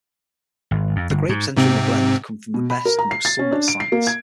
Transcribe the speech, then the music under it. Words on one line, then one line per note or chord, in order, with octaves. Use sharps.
The grapes entering the blend come from the best, most sunlit sites.
G#1
F2
G1
G#2
G#2 C3 C4
B2
B5
A#4
A#5
C7
A6
C#4
D4
D7
C7
A#3
G#6